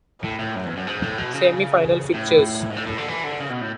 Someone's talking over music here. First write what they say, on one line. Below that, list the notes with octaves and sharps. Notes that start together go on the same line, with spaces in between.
Semi final fixtures.
A2
A2
F#2
E2
F#2
G#2
A2
B2
C#3
A2
G#2
A2
A2
D3
E3
D3
C#3
B2
A2